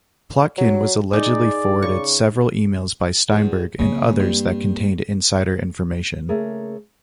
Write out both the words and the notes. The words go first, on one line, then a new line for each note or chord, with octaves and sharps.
Plotkin was allegedly forwarded several emails by Steinberg and others that contained insider information.
F#3
D#4 G#4 D5
C#3 C#6
E2
C#3 A#3 C4
G2
C#3 A3 A#3 G#4 A#4